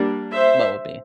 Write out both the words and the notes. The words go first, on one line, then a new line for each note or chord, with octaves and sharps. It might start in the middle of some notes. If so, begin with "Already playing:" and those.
What would be?
Already playing: G3 A#3 D4
C5 E5